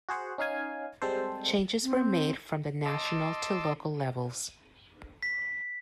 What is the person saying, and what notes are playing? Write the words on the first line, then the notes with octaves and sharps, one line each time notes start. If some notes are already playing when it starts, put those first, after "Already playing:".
Changes were made from the national to local levels.
F#4 G#4 C5 F#5
C#4 D#4 F5 G#5
G3 G#3 C4 A4 C5
C4
D#5 A5 C6 D6 E6
B6